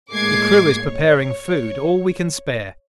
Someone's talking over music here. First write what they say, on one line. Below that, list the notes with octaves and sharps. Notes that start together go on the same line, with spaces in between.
The crew is preparing food, all we can spare.
A2 G#3 A#3 D6 G#6 C7
C#5